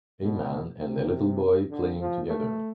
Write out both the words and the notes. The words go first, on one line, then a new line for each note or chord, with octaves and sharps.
A man and a little boy playing together.
B2
C3
D3
F3
A3